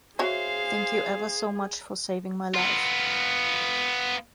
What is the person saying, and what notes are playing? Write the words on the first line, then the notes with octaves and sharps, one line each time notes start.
Thank you ever so much for saving my life.
F#4 G#4 C5 C#5 E5 F5
B3 F4